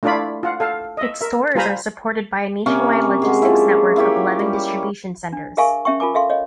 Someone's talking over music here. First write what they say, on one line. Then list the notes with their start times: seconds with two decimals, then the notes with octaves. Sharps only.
Its stores are supported by a nationwide logistics network of eleven distribution centers.
0.03 A3 D4 E4 F4 D5 B5
0.43 F4 F#5
0.60 A4 F5 A5
0.97 D#5 E5
1.21 A#4 E5
1.55 G3 F4 C5 G#5 A#5 B5
2.66 C3 A#3 C#4
3.22 F#3 G#3 G#4
3.42 F3 E4
3.96 A#3 E4 G4 C#5
4.39 G3
5.33 D4
5.57 G#4 A#4 E5 F5 G#5 C#6
5.85 C#4 E5 G5 C#6
6.00 F4 A#4 G#5 D6
6.14 A4 E5 F5 C6
6.30 C#5 D#5 F5